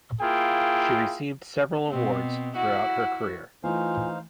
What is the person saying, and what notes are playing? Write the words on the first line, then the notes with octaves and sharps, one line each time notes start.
She received several awards throughout her career.
A#3 E4 F4 G#4 G5
B2 C4
E4 F#4 F#5
E3 A3 D#4 F4 C5 F5 G#5